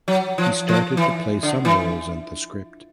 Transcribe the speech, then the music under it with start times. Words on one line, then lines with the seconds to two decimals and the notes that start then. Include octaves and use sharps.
He started to play some roles in the script.
0.08 F#3
0.38 F3
0.69 F3
0.97 E3
1.43 D3
1.65 E3